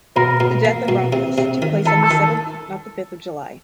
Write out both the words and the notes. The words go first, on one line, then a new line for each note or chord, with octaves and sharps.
The death of Romulus took place on the seventh, not the fifth, of July.
B2 A#4
B2
A#3
B2
C3
C3
D#3
D#3 A4
A4
D#3